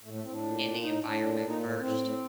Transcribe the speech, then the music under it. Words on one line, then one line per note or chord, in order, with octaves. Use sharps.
in the environment first
A2 A3
A3
A2 C4
D4
A#2
A#2
A2 D#4
A2 D4
A#2 D4
D4
A#2
D#4
A2
A2 C4
A2